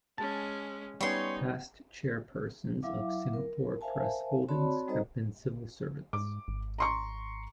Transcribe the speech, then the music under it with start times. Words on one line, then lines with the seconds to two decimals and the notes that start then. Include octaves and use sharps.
Past chairpersons of Singapore Press Holdings have been civil servants.
0.18 G#3 C#4 A5
1.01 G3 B3 C#4 D#4 C#5 C6
2.83 F#3 E4 E5 F5 D6
3.33 A#4
3.81 A#4 C5 E5 F5 G#5 A5
4.48 C4 F#4 C#5 D5 A5 B5
4.88 G3 D#4 A4 C5 D#5 A#5
6.13 G#2 D6
6.48 G#1
6.78 A#5 C6 C#6